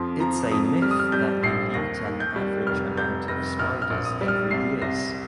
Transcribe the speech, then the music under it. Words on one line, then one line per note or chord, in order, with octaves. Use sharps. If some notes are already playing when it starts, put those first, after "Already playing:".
It’s a myth that you eat an average amount of spiders every years.
Already playing: F2 F3 C6
F3 A#5
F2 D#6
G3 F6
D#6
F6
G3 G6
A#1 C7
D#2 A#6
D#2
G6
G3
F1 F6
F1 G6
F1 A#6
A#1 F6
F6
A#1
D#6
G3
F6
C2 C7
C2 A#6